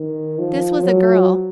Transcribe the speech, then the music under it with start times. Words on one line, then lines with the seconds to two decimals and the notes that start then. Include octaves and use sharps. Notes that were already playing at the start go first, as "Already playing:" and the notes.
This was a girl.
Already playing: D#3
0.39 F3
0.83 F#3